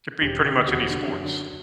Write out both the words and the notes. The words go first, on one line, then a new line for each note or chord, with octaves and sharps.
Could be pretty much any sports.
E1 G4
D3
G4
D2
E1 F#4
D3
F#2
D3